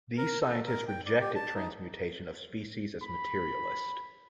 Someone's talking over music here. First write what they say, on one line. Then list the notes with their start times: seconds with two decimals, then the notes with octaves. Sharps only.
These scientists rejected transmutation of species as materialist.
0.18 A#4
0.41 A4
0.66 A#4
0.88 G5
1.06 D5
1.21 G4
1.35 A5
1.55 D#4
3.02 B5